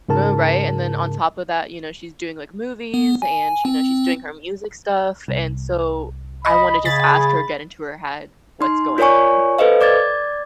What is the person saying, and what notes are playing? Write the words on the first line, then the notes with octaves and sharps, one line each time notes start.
No, right, and then on top of that, you know, she's doing, like, movies, and, you know, she's doing her music stuff, and so I wanna just ask her, get into her head, what's going on.
G#2 C#3 A#4 A5
B3
G#5
C4
C2
D#5 B5
C#3 G#4 B5 A6
D#4 C6
F4 A#4 C#5 D5 G#5 C#6
A4 B4 C5 D#5 F5
D5 D6 G#6 A6